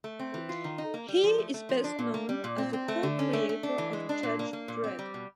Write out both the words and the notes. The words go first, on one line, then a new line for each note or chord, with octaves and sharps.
He is best known as the co-creator of "Judge Dredd".
A3
C4
E3
F4
D#3
D#4
A#3
G3
F3
A3
A3
F3
D4
A#2
A#3
G3
A#2
C4
C4
A3
D3
C#4
A3
A3
D4
E3
G#3
D4
A#2
A#3
A#3
A#2
C4
G3
B2